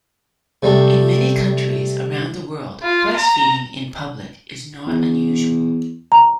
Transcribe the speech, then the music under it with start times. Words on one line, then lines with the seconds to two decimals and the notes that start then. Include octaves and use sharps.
In many countries around the world, breastfeeding in public is not unusual.
0.63 C3 G3 A3
2.83 F4
3.17 A#5
4.86 E2
6.12 A#5